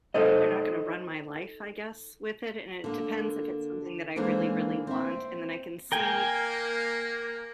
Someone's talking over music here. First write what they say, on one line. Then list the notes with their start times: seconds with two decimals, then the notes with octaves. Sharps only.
they're not gonna run my life, I guess, with it, and it depends if it's something that I really, really want, and then I can see
0.14 D#4 A4 C5 D#5
2.84 D3 A#3
4.16 D#2 D3 E3 G#3 A#3 C5
4.87 C4 E5
5.92 A#3 A#4 G5 G#5